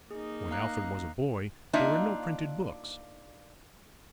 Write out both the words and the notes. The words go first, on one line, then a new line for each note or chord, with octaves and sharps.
When Alfred was a boy there were no printed books.
A#3 D#4 G#4
F5 A#5 F#6
A#3 D4 D#4 F4 D#5 E5